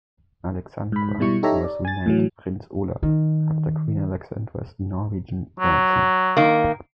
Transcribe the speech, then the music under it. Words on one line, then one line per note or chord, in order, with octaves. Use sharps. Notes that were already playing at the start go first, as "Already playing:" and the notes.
"Alexandra" was renamed "Prins Olav", after Queen Alexandra's Norwegian grandson.
G#2 B5
B2 G3 E4 C#6
D#4 G4 A4 C#5 E5 A#5
D5
G#5 A6
A2 E3 F#3
D#3
F#3
D#3 A#3